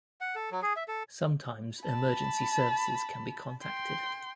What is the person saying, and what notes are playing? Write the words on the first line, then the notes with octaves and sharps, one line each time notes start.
Sometimes emergency services can be contacted.
F#5
A4
F#3
G#4
E5
A4
A5 B5
G5 C6